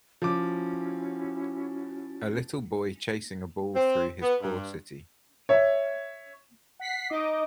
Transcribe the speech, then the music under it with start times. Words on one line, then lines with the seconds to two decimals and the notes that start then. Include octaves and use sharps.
A little boy chasing a ball through his poor city.
0.22 F3 C#4 E4 F#4 D6
3.75 C4
4.22 B3
4.42 G2
5.49 C#5 E5
6.80 F#5 B6 C7
7.10 D#4 D#5 D6